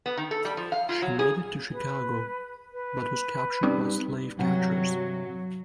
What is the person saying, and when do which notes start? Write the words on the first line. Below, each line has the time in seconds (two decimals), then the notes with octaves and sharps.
She made it to Chicago, but was captured by slave catchers.
0.06 B3
0.17 D#3
0.31 A4
0.45 G3
0.57 F3
0.72 F5
0.89 F4
1.02 F#3
1.19 G#4
1.72 B4
2.72 B4
3.63 G2 C3 C#4 D#4 D5
4.39 G2 C3 F#3 F#4